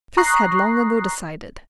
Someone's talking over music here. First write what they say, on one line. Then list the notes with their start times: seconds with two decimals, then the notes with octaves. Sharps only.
Chris had long ago decided.
0.17 A#5 C#6 D#6 F#6 A#6 C7